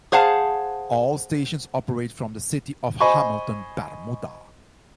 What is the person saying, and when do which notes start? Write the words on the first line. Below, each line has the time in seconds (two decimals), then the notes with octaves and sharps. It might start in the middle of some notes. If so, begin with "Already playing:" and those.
All stations operate from the city of Hamilton, Bermuda.
0.12 G#4 C5 F5 F#5 A5
3.00 C5 D#5 G#5 B5 C#6